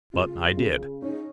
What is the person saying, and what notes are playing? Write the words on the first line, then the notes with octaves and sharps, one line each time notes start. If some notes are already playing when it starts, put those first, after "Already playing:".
But I did.
C#3 F4
C#3
C#4 D#4